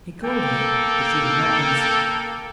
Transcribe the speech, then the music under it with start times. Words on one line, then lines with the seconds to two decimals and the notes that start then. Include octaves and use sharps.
He called her, but she did not answer.
0.23 A#3 A4 G5